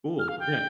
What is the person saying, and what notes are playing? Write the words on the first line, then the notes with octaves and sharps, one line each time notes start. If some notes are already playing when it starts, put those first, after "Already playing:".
Cool, yeah.
F6
F5
G5